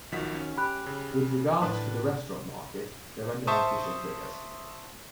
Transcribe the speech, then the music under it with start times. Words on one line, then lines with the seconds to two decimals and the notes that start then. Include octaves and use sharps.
With regards to the restaurant market, there are no official figures.
0.12 B1 D#3 F3 F#4 B6
0.34 C#4
0.57 G4 B5 F#6
0.86 C#3
1.62 A2 D4 B4
3.47 C5 E5 A5 C#6 D#6